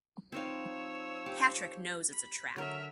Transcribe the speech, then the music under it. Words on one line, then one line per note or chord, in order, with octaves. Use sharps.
Patrick knows it's a trap.
F3 C4 D#4 C#5 F5 E6
G4
B5
D3 F#3 A#4 E5 F6